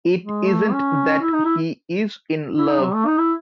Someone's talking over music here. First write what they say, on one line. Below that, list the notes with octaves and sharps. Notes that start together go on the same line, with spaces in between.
It isn't that he is in love.
G#3
A3
C#4
E4
D#4
E4
E4
D#4
F#3
A3
D#4
E4